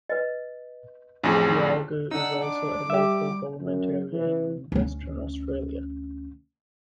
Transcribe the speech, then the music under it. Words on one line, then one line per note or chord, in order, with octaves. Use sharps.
Yalgoo is also a local government area in Western Australia.
B4 D#5
A1 F2 D4 F4 G#4
D4 D#4 F#5 E6
D6
G3 G4 E5
F#2
E3
D2 C#4